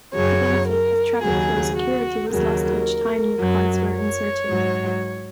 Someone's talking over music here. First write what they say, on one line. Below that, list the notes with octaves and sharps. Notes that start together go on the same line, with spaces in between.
The benefit of traffic-flow security was lost each time new cards were inserted.
F#2 C#3 F#3 C#5
A#4
D#2 C#3 F#3 G#4
F#4
D#2 C#3 F#3 A#4
F#2 F#3
C#5
G#2 F#3